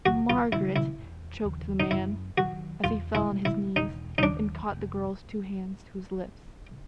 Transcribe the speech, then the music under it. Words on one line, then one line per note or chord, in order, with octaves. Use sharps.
"Margaret!" choked the man, as he fell on his knees and caught the girl's two hands to his lips.
C#2 F#4
F4
C#3 F3 G#3 E4
E4
E1
D#2 C#3 F3
D#4
F#2 E4
D#3 F#3 F#4
E2 F4
E4
B2 G#3
E4
E1 D#4
D#4
D#2 D#3 F#3 D4
F1